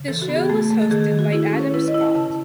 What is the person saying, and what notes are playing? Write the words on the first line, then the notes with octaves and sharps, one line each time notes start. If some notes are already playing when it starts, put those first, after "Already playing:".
The show was hosted by Adam Scott.
Already playing: C#3
E3 A4
F#4
B3
G#4
A3 A4
A3
A4
D#3 G#4
D#3
F#4
E4 G#4
A4
C#4
C#5
E4 B4
D#5
E4
A5
C#3 A5